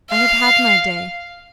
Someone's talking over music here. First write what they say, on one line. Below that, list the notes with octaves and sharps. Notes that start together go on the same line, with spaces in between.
I have had my day.
F5